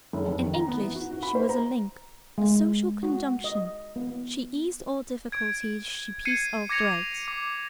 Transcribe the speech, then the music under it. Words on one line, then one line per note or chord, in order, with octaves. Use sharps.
In English she was a link, a social conjunction; she eased all difficulties, she pieced all threads.
F#1
F1
D#3
A#5
B3
E3
F#4
F#4
B5
C5
A#5
G#3
F#4
D#5
B3
G#6 D7
G#6 C7 C#7 D#7
D6 G#6 A#6 C#7 F7
D6